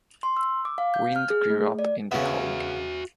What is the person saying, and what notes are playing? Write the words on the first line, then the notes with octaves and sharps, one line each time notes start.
Wind grew up in The Hague.
C6
E6
D6
F5
G6
F6
G#4
A3
D5
C#3 B3 F#4 E5